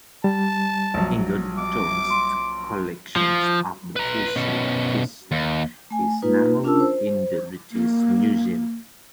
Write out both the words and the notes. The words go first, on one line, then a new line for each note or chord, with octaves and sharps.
Egerton's collection of fossil fishes is now in the British Museum.
G3 A5
A#1 F#3
D6
C6 D7
F3
B4 A#5
B2 C#4
D#2
A3 G#5
A#3 D#4 F4 B4
C#4 D4 F4 A#4 A5 E6
C5
A#3